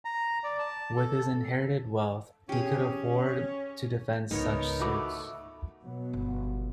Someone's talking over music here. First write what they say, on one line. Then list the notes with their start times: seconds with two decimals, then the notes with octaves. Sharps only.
With his inherited wealth, he could afford to defend such suits.
0.05 A#5
0.44 D5
0.59 A5
0.97 A4
2.49 C#4 G4 G#4
4.31 C#2 G#2 G#3 B3 D#4 A#4 C#5
4.80 A3 F#4 B5 D6
5.83 B2 F#3 B3
6.13 G1